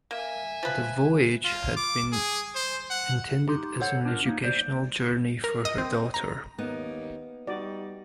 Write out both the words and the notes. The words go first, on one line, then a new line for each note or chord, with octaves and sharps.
The voyage had been intended as an educational journey for her daughter.
A#3 E5 G#5
F3 B4
F4
D6
G#4
C5
F#5
D#4 G4 C6
A4 C5 C#5 F#5
D4 F4 A#4
A#3 D#4
C5 D5
A#4
D#5
C4
A#5
D#2 A#3 B3 C#4 D#4
G3 D#4 F#4 D5